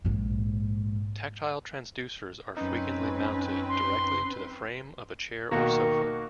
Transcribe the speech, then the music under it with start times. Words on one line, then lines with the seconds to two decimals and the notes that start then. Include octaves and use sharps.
Tactile transducers are frequently mounted directly to the frame of a chair or sofa.
0.05 A#1 G#2
2.57 F#2 C4 C#4 D#4 B4
3.69 C6
5.51 B2 D#3 A#3 F#4 A#5 C#6